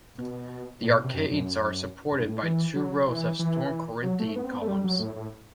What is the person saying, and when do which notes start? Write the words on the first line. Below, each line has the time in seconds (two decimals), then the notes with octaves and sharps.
The arcades are supported by two rows of stone Corinthian columns.
0.18 B2
0.83 A2
0.93 B2
1.04 C3
1.14 F#2
1.31 F#2
2.11 G2
2.27 A2
2.43 E3
2.75 F#3
3.07 E3
3.39 E3
4.03 F#3
4.19 A3
4.36 B3
4.44 C4
4.52 B3
4.61 A3
4.68 G3
4.84 F#3
4.99 A2
5.16 A2